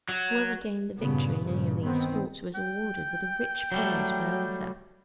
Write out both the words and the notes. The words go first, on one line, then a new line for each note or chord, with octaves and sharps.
Whoever gained the victory in any of these sports was awarded with a rich prize by Arthur.
F#3
G2 A#2 C#3 B3
G2 A#2 C#3
D#3 B3 C4
G5
F#3 G3 A3